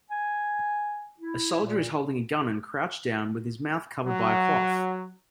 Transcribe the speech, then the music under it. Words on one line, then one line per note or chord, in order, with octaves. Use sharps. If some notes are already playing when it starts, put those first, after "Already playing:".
A soldier is holding a gun and crouched down with is mouth covered by a cloth.
G#5
E4
A#2
F#3